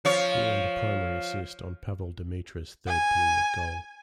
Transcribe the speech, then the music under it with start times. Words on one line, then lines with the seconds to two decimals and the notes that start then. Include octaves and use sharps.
He earned a primary assist on Pavol Demitra's third period goal.
0.05 F3 C#5
2.88 G#5